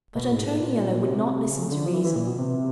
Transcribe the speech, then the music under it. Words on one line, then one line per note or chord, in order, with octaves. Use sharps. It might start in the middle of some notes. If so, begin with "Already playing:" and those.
But Antoniello would not listen to reason.
B2
A2
G#2
A2
A#2
C3
C#3
D3
F3
E3
E3
A#2
B2
C3